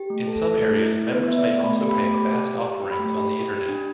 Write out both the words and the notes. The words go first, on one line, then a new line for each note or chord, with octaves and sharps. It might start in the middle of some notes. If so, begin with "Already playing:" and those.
In some areas, members may also pay fast offerings on the Internet.
Already playing: G4
A3
A4
A4
A3
E4
E4
B3 B4
B3 E5
D5
B3
A3 B5
G4
B5
A3
G4 D6
G4
G4
G4
G4
B5
A3
G4
G4
G4
D4